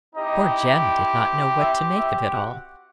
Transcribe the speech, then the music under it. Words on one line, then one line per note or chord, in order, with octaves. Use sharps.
Poor Jem did not know what to make of it all.
C4 D#4 E4 G4 D#5
E4 E5
E4 E5
F#4 F#5